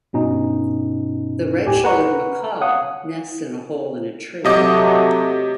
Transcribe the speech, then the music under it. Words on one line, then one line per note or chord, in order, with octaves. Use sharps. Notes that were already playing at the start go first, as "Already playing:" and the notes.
The red-shouldered macaw nests in a hole in a tree.
G2 B2 C#4 D#4
D#2 A2 G4 G#5
B4 F#5 A#5 C#6
C#5 F5 F#5 D#6
C3 F#3 A3 D#5 D6